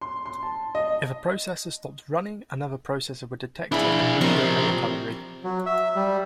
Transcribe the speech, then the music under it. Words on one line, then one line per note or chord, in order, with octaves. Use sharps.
If a processor stopped running, another processor would detect it and initiate a recovery.
C6
C6
A5
D#5
D4 E4 G#4 B5
C3 F3 A#4 D#5 C#6
F#3
E5
G3